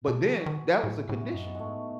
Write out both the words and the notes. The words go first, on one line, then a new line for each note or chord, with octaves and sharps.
but then that was the condition.
B2 A4
C#3 G#4
E3 F#4
D#3 G#4
A2
E4
A2 F#4
E4
F#2 D#4
B3
G#2 G#3 A3
A2